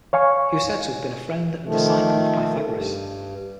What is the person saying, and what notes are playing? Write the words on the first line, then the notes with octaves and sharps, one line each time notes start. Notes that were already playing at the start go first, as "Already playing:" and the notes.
He was said to have been a friend and disciple of Pythagoras.
C#5 F5 G#5 C#6
D#3 F3 A3
G2